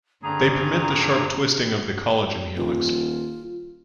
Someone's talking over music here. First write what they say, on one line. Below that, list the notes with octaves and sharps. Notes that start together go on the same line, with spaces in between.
They permit the sharp twisting of the collagen helix.
G2 D3 C4 G#4 A#5
D#1 F4